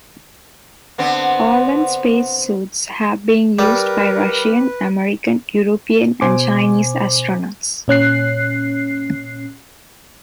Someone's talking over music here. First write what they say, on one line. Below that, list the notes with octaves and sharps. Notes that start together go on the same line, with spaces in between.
Orlan space suits have been used by Russian, American, European and Chinese astronauts.
D3 B3 C4
G3 A#4 B4
B2 C5 G#5 D6
A#2 C#4 F#6 C7